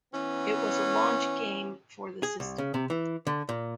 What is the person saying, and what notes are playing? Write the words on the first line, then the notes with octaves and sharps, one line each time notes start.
It was a launch game for the system.
E3 B3 C#4
G#4
C2
C#3
C3
E3
D3
A#2